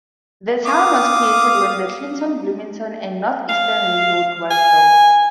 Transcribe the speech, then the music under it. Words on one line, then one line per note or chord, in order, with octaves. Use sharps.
The town was created when the Clinton Bloomington and Northeastern Railroad was built.
F5 D6 D#6
F5
G#5